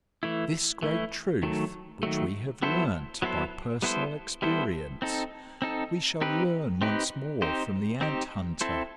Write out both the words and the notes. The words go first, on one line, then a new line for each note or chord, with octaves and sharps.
This great truth, which we have learnt by personal experience, we shall learn once more from the Ant-hunter.
E3 A3 E4
E3 A3 E4
D#3 F#3 A3
D#3 F#3 A3
F#3 B3 E4 A4 C5
F#3 B3 E4 A4 C5
G3 B3 E4 A4 C5
G3 B3 E4 A4 C5
C4 D#4 A4
C4 D#4 A4
C4 D#4 G4 B4
C4 D#4 G4 B4
C4 D#4 G4 C5
C4 D#4 G4 C5
C4 E4 A4 C5